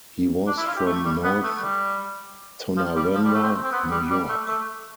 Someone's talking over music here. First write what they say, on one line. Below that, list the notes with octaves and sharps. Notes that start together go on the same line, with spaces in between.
He was from North Tonawanda, New York.
D4
E4
F4
G4
A3
G3
B3
A3
G3
F3
G3
F3
G3
A3
C4
C4
B3
G3
G3
A3
A3